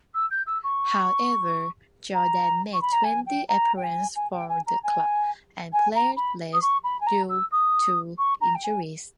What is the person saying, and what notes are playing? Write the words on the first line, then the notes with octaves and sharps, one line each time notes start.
However, Jordan made twenty-appearance for the club and played less due to injuries.
E6
G6
E6
C#6
A#5
C#6
B5
A#5
G#5
G5
A#5
G5
G#5
G#5
G5
G#5
A#5
G#5
G#5
A#5
B5
D#6
C#6
B5
G#5
A#5
E6
D#6
C#6
A#5
G5
G#5